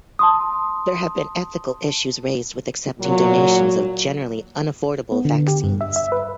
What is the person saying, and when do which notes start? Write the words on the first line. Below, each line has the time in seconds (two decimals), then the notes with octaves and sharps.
There have been ethical issues raised with accepting donations of generally unaffordable vaccines.
0.19 A5 C6 D#6
3.00 A#2 F#3
5.12 B3
5.25 D3
5.48 G4
5.64 G2
5.81 E5
5.96 E5
6.12 B4